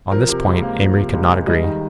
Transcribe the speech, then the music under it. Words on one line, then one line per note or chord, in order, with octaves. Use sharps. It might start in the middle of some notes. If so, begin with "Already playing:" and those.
On this point Amory could not agree.
F3 A#4
C3
C#2
A#3
F3
C3
C#2
G#3
G3 D#5
D#3